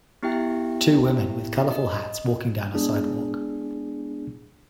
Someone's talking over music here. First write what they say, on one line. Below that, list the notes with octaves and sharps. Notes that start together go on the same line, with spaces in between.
Two women with colorful hats walking down a sidewalk.
B3 E4 G4 E5 G5
D#5
G#3 B3 D4 E4 G#4